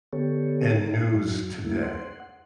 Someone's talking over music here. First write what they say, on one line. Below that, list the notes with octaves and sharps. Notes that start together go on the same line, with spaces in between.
in news today?
D3 B3 G4 A4 C#5
G#5
F#2 F#3
G3 A3 A#3 E4
F#5 C6